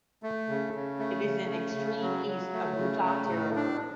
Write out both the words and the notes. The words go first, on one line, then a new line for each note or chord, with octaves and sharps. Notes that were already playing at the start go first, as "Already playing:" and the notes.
It is in extreme east of Buta Territory.
A3
C#3
C#3
A3
C#3
A3
C#3
F#3
F#3
A3
C#3
A3
A2
D4